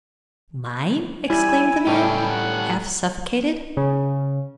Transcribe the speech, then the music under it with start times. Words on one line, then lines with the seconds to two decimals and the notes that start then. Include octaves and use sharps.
"Mine?" exclaimed the man, half-suffocated.
1.30 G3 E4 G#5
1.87 A2 G3 C#4 G4 A4 G5
2.30 F#5
3.77 C#3